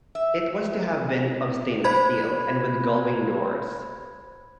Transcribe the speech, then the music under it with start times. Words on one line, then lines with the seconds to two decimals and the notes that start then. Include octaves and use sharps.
It was to have been of stainless steel, and with gullwing doors.
0.15 E5
1.84 C5 B5 G#6